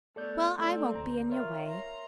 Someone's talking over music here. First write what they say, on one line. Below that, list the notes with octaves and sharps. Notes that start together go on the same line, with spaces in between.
Well, I won't be in your way.
A3 B3 A4 D5 G6
A3 C4 A4 D5
D2 A#5
F4 A#4 C#5 E5
A#5 C6